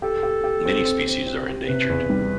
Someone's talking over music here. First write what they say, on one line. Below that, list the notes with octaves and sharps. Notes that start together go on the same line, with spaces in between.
Many species are endangered.
G4 A4
G4
G4
C4
C4
C4
C4
G4
C3 B4
E2
G3